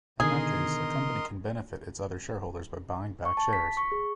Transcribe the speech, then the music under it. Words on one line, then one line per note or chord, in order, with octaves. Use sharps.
In that case a company can benefit its other shareholders by buying back shares.
B2 D3 D#3 G#4 A#4 D#5 C6
C#6
A5
B6
C#6
G#4